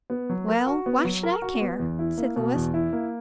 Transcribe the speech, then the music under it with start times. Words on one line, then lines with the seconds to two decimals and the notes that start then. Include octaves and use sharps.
"Well, why should I care?" said Louis.
0.10 B3
0.30 F#3
0.48 A#4
0.66 F#4
0.86 B3
1.05 F#3
1.23 A#4
1.42 F#4
1.61 B3
1.80 E2
1.99 E4
2.18 A#3
2.36 B2
2.55 E2
2.74 E4
2.93 A#3